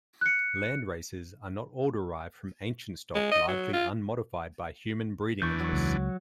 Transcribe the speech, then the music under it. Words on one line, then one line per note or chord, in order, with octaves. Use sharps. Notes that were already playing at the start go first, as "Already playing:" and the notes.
Landraces are not all derived from ancient stock largely unmodified by human breeding interests.
F#6 C#7
G#3
D#5
F#3
F4
E2 E3 D4 C#6 G6
F#3 C#6
C#2